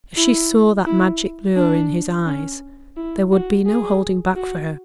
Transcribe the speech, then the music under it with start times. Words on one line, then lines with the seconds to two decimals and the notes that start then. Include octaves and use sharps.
If she saw that magic lure in his eyes there would be no holding back for her.
0.17 E4
0.87 E4
1.57 D4
2.26 C#4
2.97 E4
3.32 F#4
3.66 G#4
4.36 F#4